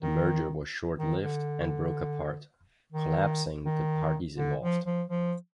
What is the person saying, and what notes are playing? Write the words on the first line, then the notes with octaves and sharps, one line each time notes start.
The merger was short-lived and broke apart, collapsing the parties involved.
D#3
D#3
D3
D#3
D#3
D3
F3
F3
F3